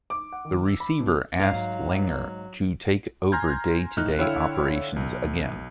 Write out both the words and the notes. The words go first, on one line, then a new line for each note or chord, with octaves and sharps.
The receiver asked Langer to take over day-to-day operations again.
D6
F#5
D#3
E6
B5
B2
G#2 F#3 F5
G#5 A#5 C6 F6 G6 G#6
A2 D#4 F6 F#6
D3 E4 C#5 F5 G5 E6
B1